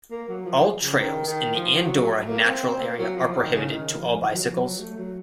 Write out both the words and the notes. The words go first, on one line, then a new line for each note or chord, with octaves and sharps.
All trails in the Andorra Natural Area are prohibited to all bicycles.
A#3
F#3
F3
C#3
D#3
D#3
F3
F#3
A3
A#3
C4
C4
A#3
F#3
F3
D#3
C#3
D#3
F3
D#3
F#3
F3
F#3
A3
F#3